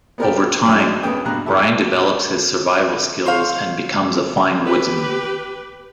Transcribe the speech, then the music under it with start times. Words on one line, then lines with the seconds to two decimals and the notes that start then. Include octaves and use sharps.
Over time, Brian develops his survival skills and becomes a fine woodsman.
0.18 B3 C4 A#4 B4 D5 G5
0.63 F#2 A2 F#3 D4
0.79 D#4 F#4 D5
1.03 D2 C#3 A#3 B3 G5 D#6
1.25 G2 B2 A#5 F#6
1.46 E4 G4 A4 E5
3.26 C5 C#5 F5
4.65 G4 B4